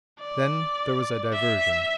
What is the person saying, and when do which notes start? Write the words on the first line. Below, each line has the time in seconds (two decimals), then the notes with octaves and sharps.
Then there was a diversion.
0.20 D5
1.33 E5